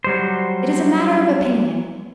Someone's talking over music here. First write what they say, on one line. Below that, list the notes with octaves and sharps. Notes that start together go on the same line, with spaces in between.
It is a matter of opinion.
F#3 G3 C5